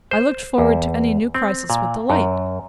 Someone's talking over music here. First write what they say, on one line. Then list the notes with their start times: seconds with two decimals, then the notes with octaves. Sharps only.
I looked forward to any new crisis with delight.
0.11 C5
0.58 E2
1.35 C4
1.70 A#2
2.10 F#2